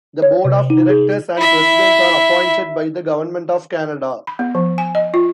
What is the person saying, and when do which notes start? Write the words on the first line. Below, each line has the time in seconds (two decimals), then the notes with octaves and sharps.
The board of directors and president are appointed by the Government of Canada.
0.22 C#5
0.45 C3
0.70 D#4
0.89 G#4
1.38 E4 E5
4.27 B5
4.39 B3
4.55 F3
4.78 G#5
4.95 D#5
5.14 F4